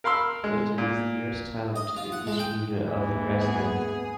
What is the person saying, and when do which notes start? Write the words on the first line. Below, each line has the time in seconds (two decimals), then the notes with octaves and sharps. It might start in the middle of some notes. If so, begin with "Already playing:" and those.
Clayton is the nearest town to the eastern unit of the Grassland.
0.04 A#4 F5 B5 C6 E6
0.44 G#3
0.78 A#2
1.76 D#5
1.96 F4
2.12 F#5
2.27 G#3
2.39 G5
2.87 D#2 G#2 E3
3.41 B3 G#4